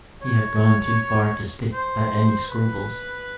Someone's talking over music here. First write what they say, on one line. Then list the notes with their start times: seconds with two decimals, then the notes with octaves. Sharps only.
He had gone too far to stick at any scruples.
0.22 C#5
1.73 C5
2.48 B4